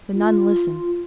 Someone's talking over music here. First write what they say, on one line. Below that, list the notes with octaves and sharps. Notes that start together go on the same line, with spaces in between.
The nun listened.
F4